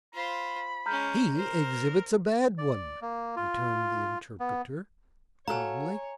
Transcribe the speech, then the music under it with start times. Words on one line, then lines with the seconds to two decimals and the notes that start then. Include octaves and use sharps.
"He exhibits a bad one," returned the interpreter, calmly.
0.14 F4 C5 B5
0.86 G#3 C#4 A#5 F6 G6
1.36 A#4 C5
2.58 D5
3.02 A#3
3.36 F4
4.40 B3
5.48 F#4 A4 C#5 F5 G#5 A#5